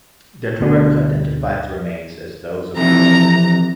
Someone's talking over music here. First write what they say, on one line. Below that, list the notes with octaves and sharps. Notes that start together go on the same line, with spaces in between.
Dental records identified the remains as those of Kroenen.
D2 B2 D3
F2 C3 E3 A#5